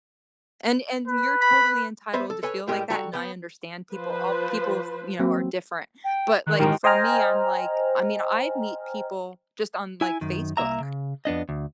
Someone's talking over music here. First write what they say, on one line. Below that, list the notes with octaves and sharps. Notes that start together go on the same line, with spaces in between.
and and you're totally entitled to feel like that, and I understand people op people, of you know, are different. But like for me, I'm like I mean I meet people just on like Facebook.
B4
B5
B3 B4 C5 E5
A4
A4 B4 C#5 G#5
A2 G3 G#3 G4 A#4 D#5
G3 F#4 A4 A#5
B3 G5
F3 B4 C5
F#3 A#3 C4
G5
D#3 F#6
A1 G#2 D#3 A#4 G5
C5 D#5 G5 G#5 A#5 F6
E4 G#5
F#2 D#3
C2 A#3 E5 A#5
C#3
F2 B3 D4 D#5
D2